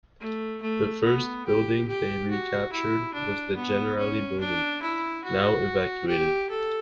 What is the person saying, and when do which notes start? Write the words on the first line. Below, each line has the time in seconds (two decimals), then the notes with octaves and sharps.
The first building they recaptured was the Generali Building, now evacuated.
0.20 A3
0.62 A3
1.04 B3
1.46 G4
1.88 G4
2.30 F#4
2.72 E4
3.14 D4
3.55 B3
3.98 C#4
4.40 D4
4.82 E4
5.23 F#4
6.07 G4
6.49 A4